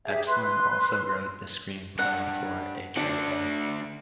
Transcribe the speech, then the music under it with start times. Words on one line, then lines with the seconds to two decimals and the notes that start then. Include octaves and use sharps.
Evslin also wrote the screenplay for A.k.a.
0.06 G4 G#4 E5
0.27 B4 C6 F#6
1.99 G2 F#5
2.97 D2 D3 D4